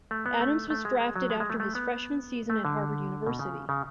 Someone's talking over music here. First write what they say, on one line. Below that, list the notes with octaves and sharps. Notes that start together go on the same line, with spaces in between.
Adams was drafted after his freshman season at Harvard University.
A3
B3
A3
A3
G#3
G#3
F#3
G#3
G#3
A3
A3
B3
A3
D3
B2
C#3
C#3